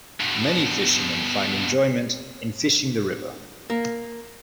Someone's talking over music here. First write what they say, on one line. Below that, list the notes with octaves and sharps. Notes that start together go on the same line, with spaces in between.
Many fisherman find enjoyment in fishing the river.
G2 B2
A#3